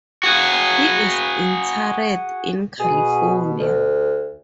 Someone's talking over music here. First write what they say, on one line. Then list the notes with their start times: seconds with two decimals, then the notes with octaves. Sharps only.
He is interred in California.
0.23 F#4 G#4
2.80 B2 G#4
3.60 D2